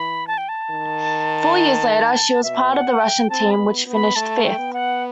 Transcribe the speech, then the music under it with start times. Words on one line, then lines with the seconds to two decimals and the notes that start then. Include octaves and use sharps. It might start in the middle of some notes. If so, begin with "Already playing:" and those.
Four years later she was part of the Russian team which finished fifth.
Already playing: E3 B5
0.27 A5
0.38 G5
0.49 A5
0.70 D#3
2.43 B2 E5
2.72 F#5
3.00 G5
3.30 C4 A5
3.51 B5
3.58 B3
3.87 B3
3.94 B5
4.16 A3 A5
4.45 G5
4.58 B3
4.74 F#5